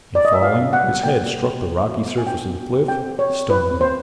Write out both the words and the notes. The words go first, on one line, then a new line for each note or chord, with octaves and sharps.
In falling his head struck the rocky surface of the cliff, stunning him.
D5
D#5
E5
F4 F5
C#4
F#5
G3
A#3 G5
F4
C#4
B3
F#4
B3
G#5
D4 G5
B3
F#4
C4 G5
G4
C#5
C4
E4 B4
C4
C5